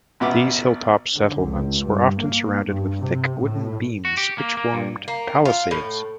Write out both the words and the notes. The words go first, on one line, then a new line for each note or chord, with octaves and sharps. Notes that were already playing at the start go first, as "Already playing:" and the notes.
These hilltop settlements were often surrounded with thick wooden beams which formed palisades.
A1 B2 B3 E5 D6
D3
C#2
G2
A#3
G2
C3
A2
F#4
G4
A#3
A#3
G2
A#3
F4
A2